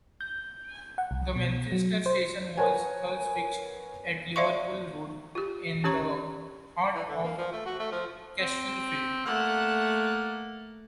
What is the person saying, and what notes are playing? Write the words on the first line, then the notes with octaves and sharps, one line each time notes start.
The Manchester station was thus fixed at Liverpool Road in the heart of Castlefield.
G6
F#5
C2
B2
F#3
C5
A#4 B4 C#5 F#5 G#5
C5 D5 E5 F5 C6 C#6
F4 G4
C#4 G4 C#5 A#5 C#6
E3
D3
A#3
F3
A3
F#4
A3
F3
C4
A3 A#3 F#5